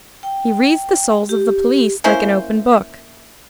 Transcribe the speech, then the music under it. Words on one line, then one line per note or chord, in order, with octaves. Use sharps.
He reads the souls of the police like an open book.
G5
G4
A#3 C#4 E4 C5